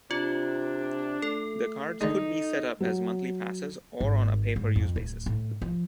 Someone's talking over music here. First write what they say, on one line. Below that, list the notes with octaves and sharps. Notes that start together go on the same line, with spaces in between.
The cards could be set up as monthly passes or on a pay-per-use basis.
C3 D4 F4
A3 A4
D3 G#3 D#4
F#3
G#1
G#2
F2
D1
A2
F3